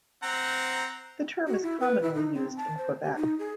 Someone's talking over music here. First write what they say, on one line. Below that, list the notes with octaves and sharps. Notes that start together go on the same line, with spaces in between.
The term is commonly used in Quebec.
C4 F#5 A#5
F#4
E4
B4
E4
D#4
C4
A5
C5
G4
D#4
G#4